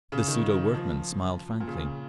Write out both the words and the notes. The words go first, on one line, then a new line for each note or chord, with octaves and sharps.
The pseudo-workman smiled frankly.
C#3
D#3
F3
A#2
C#3